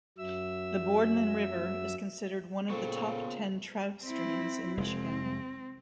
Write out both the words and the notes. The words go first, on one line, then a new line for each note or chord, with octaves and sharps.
The Boardman River is considered one of the top ten trout streams in Michigan.
F#2 F#3 E5 E6
A#2 C#3 A#3 B3 F4 A4 C5 C#6
C4 E4
F1 G#3 C4